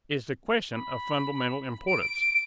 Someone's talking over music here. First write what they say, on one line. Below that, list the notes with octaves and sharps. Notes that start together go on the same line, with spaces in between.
Is the question of fundamental importance?
B5
D7